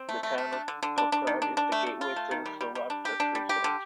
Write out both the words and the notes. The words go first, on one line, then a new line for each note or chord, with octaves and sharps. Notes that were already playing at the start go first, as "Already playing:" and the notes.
The town of Poprad is the gateway to the Slovak Tatra resorts.
Already playing: C4
A3
A3
A3
D4
D3
D3
D4
D4
D#3
D4
D4
A3
A3
F4
A3
D#3
G3
G3
G3
D4
G4
D4
G3
G4
D3